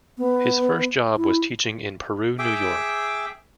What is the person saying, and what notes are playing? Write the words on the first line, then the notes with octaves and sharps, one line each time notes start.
His first job was teaching in Peru, New York.
B3
E4
G#4 E5 G5 D6